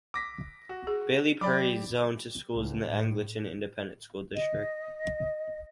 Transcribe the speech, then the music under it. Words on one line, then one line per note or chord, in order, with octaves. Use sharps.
Bailey's Prairie is zoned to schools in the Angleton Independent School District.
D6 A#6 B6
F#4
G#4
F#3 G4 D5 B5 D6
C#2
A2
D#5